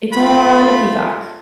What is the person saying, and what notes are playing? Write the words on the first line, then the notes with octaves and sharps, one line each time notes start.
It's on Peacock,
A3 F4 B5